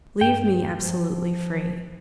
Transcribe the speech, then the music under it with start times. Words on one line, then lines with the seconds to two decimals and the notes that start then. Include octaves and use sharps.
Leave me absolutely free.
0.21 G2 G5
0.82 F3